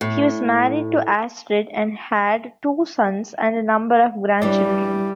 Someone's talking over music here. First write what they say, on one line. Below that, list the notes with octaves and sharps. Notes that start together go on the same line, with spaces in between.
He was married to Astrid and had two sons and a number of grandchildren.
A2
E3 G3 D4